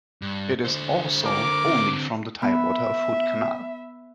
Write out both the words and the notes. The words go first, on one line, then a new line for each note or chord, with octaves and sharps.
It is also only from the tidewater of Hood Canal.
G2
D3 C5
A#4 D6
D3 C4
B3 E5